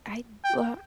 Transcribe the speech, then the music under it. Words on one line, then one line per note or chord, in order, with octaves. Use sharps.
I uh,
G5